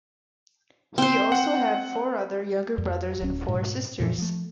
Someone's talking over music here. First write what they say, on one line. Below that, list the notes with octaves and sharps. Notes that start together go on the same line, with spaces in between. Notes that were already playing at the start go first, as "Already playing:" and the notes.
He also had four other younger brothers and four sisters.
C4 C5
F#5
F2
D1 C#4
G#2 B2
F2 A#2 E3 F3
F3 A3